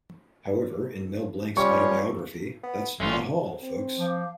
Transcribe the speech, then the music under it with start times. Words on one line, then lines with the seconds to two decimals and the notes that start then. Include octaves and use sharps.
However, in Mel Blanc's autobiography, That's Not All Folks!
1.57 G3 C#4 F4 C#5 C#6
2.64 B3
3.00 A1 G#3 A3 C#4 F4
3.62 C4
3.97 F3 F5 D6